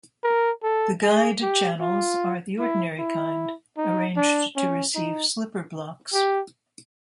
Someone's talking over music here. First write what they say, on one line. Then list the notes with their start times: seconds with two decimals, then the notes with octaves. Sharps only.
The guide channels are the ordinary kind, arranged to receive slipper blocks.
0.24 A#4
0.63 A4
1.03 G#4
1.42 G4
1.80 F4
2.59 E4
2.99 E4
3.78 D#4
4.17 D4
4.56 C#4
4.96 D#4
6.14 G4